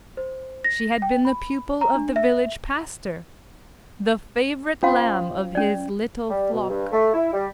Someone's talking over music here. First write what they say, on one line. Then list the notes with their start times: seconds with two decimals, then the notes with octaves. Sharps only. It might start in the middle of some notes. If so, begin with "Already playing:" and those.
She had been the pupil of the village pastor, the favorite lamb of his little flock.
0.17 C5
0.64 A#6
1.02 G5
1.25 B5
1.81 A#5
1.95 D4
2.16 E5
4.83 C#4 F4 C5 F5 B5
5.55 C#4 D5
6.29 G3
6.53 B2
6.69 G2
6.92 A3
7.14 E4
7.33 G3